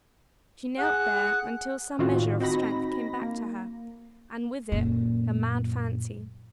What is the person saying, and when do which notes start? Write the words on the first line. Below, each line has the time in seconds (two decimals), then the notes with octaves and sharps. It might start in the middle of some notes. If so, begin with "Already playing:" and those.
She knelt there until some measure of strength came back to her, and, with it, a mad fancy.
0.79 G#4 F#5
1.99 A2 D#3 C4 F4 F#4
2.40 C4 D#4 F#4 B5 A#6
3.22 A#3
4.72 F#2 A#2